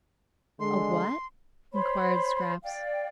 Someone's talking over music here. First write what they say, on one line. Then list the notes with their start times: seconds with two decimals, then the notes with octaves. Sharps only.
"A what?" inquired Scraps.
0.60 D3 G#3 C6
1.73 C5 C#5 B5 C6
2.63 D5 F5 G5